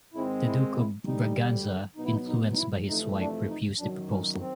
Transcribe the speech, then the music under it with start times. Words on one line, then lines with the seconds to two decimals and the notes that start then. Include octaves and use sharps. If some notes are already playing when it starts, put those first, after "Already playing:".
The Duke of Braganza, influenced by his wife, refused the proposal.
0.14 G#2 D#3 G#3 C4 E4
0.45 E4
0.76 E4
1.05 D2 D3 G3 D#4
1.96 B2 F#3 B3 D#4
2.05 E4
2.12 D#4
2.27 D#4
2.52 D#4
2.57 E4
2.88 F2 C3 E3 A3 D#4
3.19 D4
3.49 D#4
3.78 F#2 D#3 F#3 D4
4.09 C#4
4.39 C4